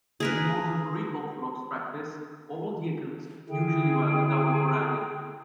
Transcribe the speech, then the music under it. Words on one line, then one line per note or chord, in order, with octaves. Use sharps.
In modern Greek Orthodox practice, all deacons usually wear the double orarion.
G#4 A#4 B4
D3 E4 G#4 G5